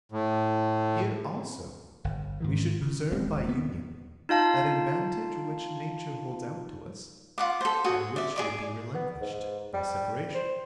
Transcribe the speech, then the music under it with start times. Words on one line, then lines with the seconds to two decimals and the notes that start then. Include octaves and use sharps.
Here also we should preserve by Union, an advantage which nature holds out to us, and which would be relinquished by separation.
0.12 A2
2.04 G1
2.40 G#2 D#3 E3
2.81 C#3
3.12 D#1 G#3 C4
3.49 B3
4.29 D#4 F4 F5 A5
7.38 F4 F#5 D6
7.61 A4 C5
7.84 F#4 G#4
8.16 D5 E5
8.36 G#4 D5 D6
8.94 B3
9.21 G#2
9.73 G3
10.34 C5